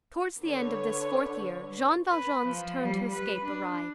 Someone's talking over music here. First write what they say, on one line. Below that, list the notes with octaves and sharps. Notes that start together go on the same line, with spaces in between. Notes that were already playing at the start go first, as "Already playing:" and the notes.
Towards the end of this fourth year Jean Valjean's turn to escape arrived.
D3 B4 C#5
B4
F3
G3
B4
D4